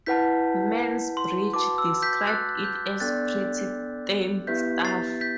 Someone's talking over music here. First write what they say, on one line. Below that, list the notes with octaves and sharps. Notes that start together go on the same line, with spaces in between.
Mansbridge described it as pretty tame stuff.
E4 B4 F#5 A5 G6 B6
C6
F#4 B4 F#5 A5 D6
E6
G6 B6
F#6 A6
G6
B3 D4 A4 D5 G5 F#6 A6
B3 E4 G4 B4 E5 G6 B6
A6 C7
G6 B6